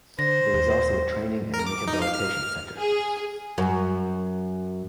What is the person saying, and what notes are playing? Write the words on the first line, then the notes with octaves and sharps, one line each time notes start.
There is also a training and rehabilitation center.
D3 C5 A#6
D#2
A#4
D6
D#4
F5
F6
G#4
F#2